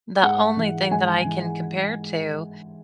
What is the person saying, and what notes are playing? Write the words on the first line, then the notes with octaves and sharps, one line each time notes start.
the only thing that I can compare to
G#2 F#5
E3
G#2 G#5
E3